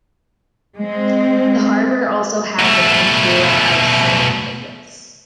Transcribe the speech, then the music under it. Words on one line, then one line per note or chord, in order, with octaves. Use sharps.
The harbour also had the name Skala of Saint Nicholas.
G#3 C4
B2 A3